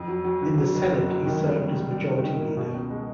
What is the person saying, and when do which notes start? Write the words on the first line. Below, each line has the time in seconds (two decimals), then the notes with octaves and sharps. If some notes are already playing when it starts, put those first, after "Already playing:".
In the Senate, he served as Majority Leader.
Already playing: F2
0.08 F#3
0.25 F#3
0.41 D3
0.58 F#3
0.75 F#1
0.91 F#1
1.08 F#3
1.24 D#3
1.41 G3
1.58 G3
1.74 G3
1.91 G3
2.08 D#3
2.24 D#3
2.40 A#3
2.57 B2
2.74 C#2
2.90 G#3